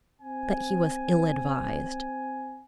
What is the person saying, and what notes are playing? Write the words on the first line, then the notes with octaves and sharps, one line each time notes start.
But he was ill-advised.
C4 G#5